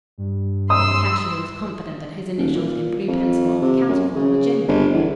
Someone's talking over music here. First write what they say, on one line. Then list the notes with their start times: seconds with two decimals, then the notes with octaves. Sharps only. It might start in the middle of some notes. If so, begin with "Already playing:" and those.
The cashier was confident that his initials in blue pencil on the counterfoil were genuine.
0.18 G2
0.70 C6 D#6 E6
2.37 D#1
2.55 A#2
3.08 F2
3.62 C3
3.88 F#2
4.15 C#3
4.68 G1
4.93 E2